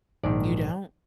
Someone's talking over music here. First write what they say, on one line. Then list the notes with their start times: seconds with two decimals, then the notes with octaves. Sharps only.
You don't?
0.23 A#1 G#2 D#3 D5